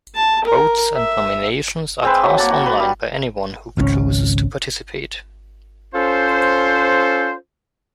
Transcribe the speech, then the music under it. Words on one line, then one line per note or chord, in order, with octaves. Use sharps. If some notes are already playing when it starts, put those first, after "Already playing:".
Votes and nominations are cast online by anyone who chooses to participate.
A5
A#4
E5
G#3 C4 B4
F#3
A#3 F#5 A5
F#4
B4
G3
G#1 C#2 D#3 C#4
C#4 F4 A4 C5